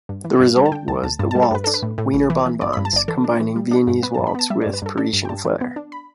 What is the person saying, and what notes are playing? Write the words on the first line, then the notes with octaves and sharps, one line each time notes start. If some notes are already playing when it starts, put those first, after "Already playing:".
The result was the waltz 'Wiener Bonbons' combining Viennese waltz with Parisian flair.
G2
E3
G2
G3
A5
D3 G5
D2 A5
D2 A5
G2 A5
G3 A5
A4
G2 B4
D4 A4
B4
A2
A2
A1
E3
E3
G1 D5
G2 B5
A5
G1 D5
E3 A4
D4
E3
G3
D4
G2
B3 B4
G2 A5
B5
B3 A5
G3 E5
G2 D5
B4
G2 A4
D4 A4
G2
G5
G2 A5
E3
B3
D4
B5